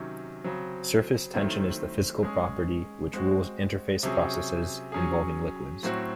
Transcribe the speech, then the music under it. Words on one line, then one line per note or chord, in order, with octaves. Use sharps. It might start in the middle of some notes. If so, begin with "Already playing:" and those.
Surface tension is the physical property which rules interface processes involving liquids.
Already playing: C3 D#3 F#3 C#4
C#3 F#3 C4
D#3 F#3 A3 C4 E4
G#3 C#4 G#4
G#3 C4 F#4
C3 F#3 C#4 G#4
F#3 C#4 G#4
A2 F#3 C4 F#4